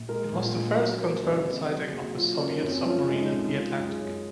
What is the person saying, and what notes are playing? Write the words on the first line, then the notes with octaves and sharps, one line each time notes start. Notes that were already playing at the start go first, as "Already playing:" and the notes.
It was the first confirmed sighting of a Soviet submarine in the Atlantic.
Already playing: A#1
G#3 A#4
A#1
F4
A#1
F#3 A#4
A#3 C5
C#2 D#5
C3 D#5
C5
F#3
G#4
F#1
F#4
F#3 F4
C#4
A#3
F#2
C4
F3 C#4
G#3
D#4
C2
G#3 F4
F#2
G#4
F#2